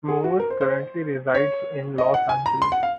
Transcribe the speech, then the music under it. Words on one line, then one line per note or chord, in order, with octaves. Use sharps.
Moore currently resides in Los Angeles.
G#4
F#4
A#4
C5
C5
C#5
D#5
F#5
G#5
A#5
C6
F#5
F5